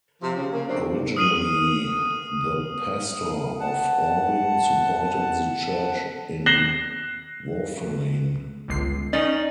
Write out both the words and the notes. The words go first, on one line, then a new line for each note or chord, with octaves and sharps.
Originally the pastor of Orvin supported the church in Vauffelin.
C3 F3
C#3
C#3 A#3
C3 F3 A3 C4 D4
D#6 F6 C7 D#7 F#7
F#5 A5
F#6 A#6 C7 E7 F#7 G7
G1 C#2 C7
C#4 D#4 D5